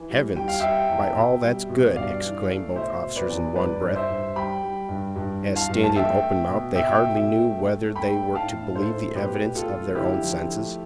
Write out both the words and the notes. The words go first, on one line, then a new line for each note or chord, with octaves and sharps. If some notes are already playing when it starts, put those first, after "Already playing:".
"Heavens!" "By all that's good!" exclaimed both officers in one breath, as, standing open-mouthed, they hardly knew whether they were to believe the evidence of their own senses.
Already playing: E3
G3
G3 G5
F5
G3 E5 G5
E2
B2
G3
B2
G2 D5 F5
E3
A3
B2 C5 E5
B2
B4 D5
E2
G2 B4 D5
G2
C5 E5
G2
G3 G5 B5
G3
G2
G2
E3
F5 A5
G2
A5
A3 E5 G5
A3
B2
B2 E5 G5
B2
E5 G5
A3
A3
A3
G5 B5
A3
A2 F5 A5
A2
A4 C5
A2
B2 G4 B4
B2
F4 A4
A3
D3 E4 G4
F3
A3